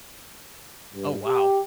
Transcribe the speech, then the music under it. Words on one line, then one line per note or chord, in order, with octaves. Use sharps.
Oh, wow.
G2
G4